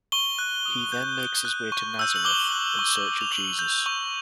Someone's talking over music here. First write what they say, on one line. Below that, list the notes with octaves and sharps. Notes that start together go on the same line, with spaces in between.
He then makes his way to Nazareth in search of Jesus.
C#6 G7
F#6
D#6
G6
C#6
F#6
C#6
E6 G6
F#7
D6 G7
F#6
C#6
F#6
F7
D6 F#7
G6
C#6